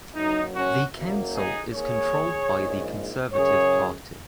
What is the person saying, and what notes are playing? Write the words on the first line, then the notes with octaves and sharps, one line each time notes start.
The council is controlled by the Conservative Party.
F#1 F#2 F#3 D#4
C#4 F#4
F#1 F#2 F#3 A#3
D#4 G#4
D#2 D#3 A#3 G#4 C#5
A#1 G#2 G#3
F#2 C#3 F#3 G#4 C#5